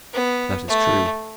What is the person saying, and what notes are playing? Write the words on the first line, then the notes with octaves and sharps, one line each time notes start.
That is true.
B3
A3